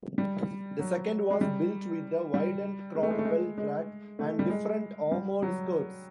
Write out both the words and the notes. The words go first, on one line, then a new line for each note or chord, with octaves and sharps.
The second was built with a widened Cromwell track and different armoured skirts.
G3
F#3
G#3
G3
G3
G#3
A3
G#3
A3
G#3
G#3
A3
G3
G#3
G3
F#3